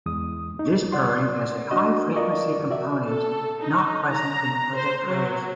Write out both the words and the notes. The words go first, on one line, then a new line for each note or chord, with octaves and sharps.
This purring has a high-frequency component not present in other purrs.
E2 G#3 D#6
D#4
D5 F#5 C6
D4 F#4 D#5
F4 A#4 D5 D#5 C#6
F#4 D5 E5
A4
D#4
A#5
C5
F#3